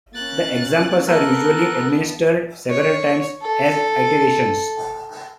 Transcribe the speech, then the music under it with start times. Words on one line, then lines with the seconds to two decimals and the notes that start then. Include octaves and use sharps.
The examples are usually administered several times as iterations.
0.15 A#3 C#4 F#6 A6
1.07 B3 A4 A#4 A5 F#6
2.70 C#5
3.42 A4